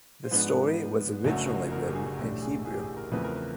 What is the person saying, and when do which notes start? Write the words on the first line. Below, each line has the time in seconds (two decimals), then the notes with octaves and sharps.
The story was originally written in Hebrew.
0.24 C5
0.31 G#2 F3 G#3 B3 D4 B4
1.25 F#1 F#2 D3 F#3 A3
1.72 A#4
1.87 G4
1.95 G#4
2.18 B1 A2 E3 A3 D4 G4
2.42 G#4
2.65 G#4
2.73 G4
2.81 G#4
2.97 A#4
3.12 E2 C#3 F3 A3 C4 B4
3.24 A#4
3.36 B4